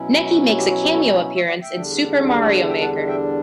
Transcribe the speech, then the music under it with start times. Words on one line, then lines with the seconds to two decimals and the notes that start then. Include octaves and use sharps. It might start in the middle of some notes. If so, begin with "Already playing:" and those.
Necky makes a cameo appearance in "Super Mario Maker".
Already playing: B2 F#3 C#4 E4
0.57 G4
0.69 F#4
0.82 G4
0.96 F#4 A4
1.09 G4
1.35 C#5 E5
1.48 D5 F#5
1.62 E5 G5
1.75 E2 D3 G3 D4
2.28 F#5 A5
2.42 D5 F#5
2.68 E5 G5
2.82 F#5 A5
3.08 E5 G5